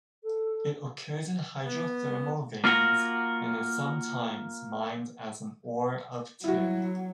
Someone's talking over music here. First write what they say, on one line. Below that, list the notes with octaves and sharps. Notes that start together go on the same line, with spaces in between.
It occurs in hydrothermal veins and is sometimes mined as an ore of tin.
A4
B3
A#3 F4 F#4 A#4
F#3 E4 F#4